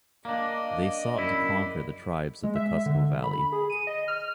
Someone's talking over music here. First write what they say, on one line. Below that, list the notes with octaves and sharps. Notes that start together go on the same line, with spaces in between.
They sought to conquer the tribes of the Cusco Valley.
A#3 D4 D5 D#5
F#2 E4
G#3
E5
D3
B5
G#4
D#7
D#5
F6